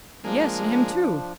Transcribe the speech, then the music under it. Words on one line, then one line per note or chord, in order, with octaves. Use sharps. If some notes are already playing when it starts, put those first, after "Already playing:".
'Yes, and him too.
F3 G#3 A#3 D4